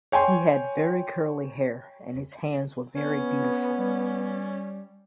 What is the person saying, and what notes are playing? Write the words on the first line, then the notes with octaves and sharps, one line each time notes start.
He had very curly hair and his hands were very beautiful.
C#5 G5 G#5 C6
B3 C#4
G3